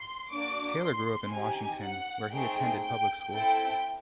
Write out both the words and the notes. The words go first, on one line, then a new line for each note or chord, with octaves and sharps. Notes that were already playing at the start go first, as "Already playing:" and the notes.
Taylor grew up in Washington, where he attended public school.
Already playing: C6
A#3 D4 F#4 D6
C6
C4 D#4 G4 G#5
F#5
A3 C4 D#4 G#4 G5
G5
C4 E4 A4 G5